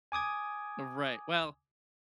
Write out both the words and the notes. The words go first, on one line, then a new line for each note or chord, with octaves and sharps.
Right, well
G#5 D6 D#6 G#6